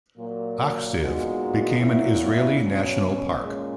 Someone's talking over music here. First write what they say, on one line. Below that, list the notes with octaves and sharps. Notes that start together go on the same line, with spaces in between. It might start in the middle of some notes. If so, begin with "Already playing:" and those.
Achziv became an Israeli national park.
A#2 F#3 A#3
A#2 G#3 B3 D#4 F#4
A#2 F#3 B3 E4
B2 F#3 C#4
A#2 G#3 C#4